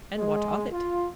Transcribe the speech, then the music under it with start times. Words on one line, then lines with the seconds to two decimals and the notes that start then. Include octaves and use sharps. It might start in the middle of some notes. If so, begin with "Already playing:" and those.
"And what of it?"
0.17 G#3
0.70 F4